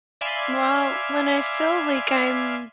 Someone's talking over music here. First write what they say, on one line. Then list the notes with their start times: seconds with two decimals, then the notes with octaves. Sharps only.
well, when I feel like I'm
0.21 D5 E5 F5 G#5 B5 C6